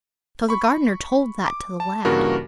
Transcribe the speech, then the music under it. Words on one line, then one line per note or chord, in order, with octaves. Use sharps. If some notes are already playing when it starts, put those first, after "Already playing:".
So the gardener told that to the lad.
B5 C#6
D6
A5
G2 C#3 E3 A#3 F#4 A#4